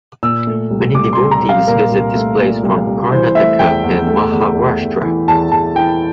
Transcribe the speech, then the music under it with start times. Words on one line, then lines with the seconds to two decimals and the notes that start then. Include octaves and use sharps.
Many devotees visit this place from Karnataka and Maharashtra.
0.23 A#2 E6
0.47 A3
0.71 C2
0.95 C2 D6
1.13 C6
1.19 C2
1.31 A#5
1.43 C2
1.49 F5
1.67 A#2 A#4
1.92 C2
2.15 A3
2.39 A#2
2.63 C2
2.87 C2
3.11 E3 C5
3.35 A3 E5
3.59 E2 G5
3.84 E2
4.07 A3
4.32 E2
4.55 E2
4.80 E2
5.03 E3
5.28 E2 A5
5.51 E2 A5
5.75 E3 G5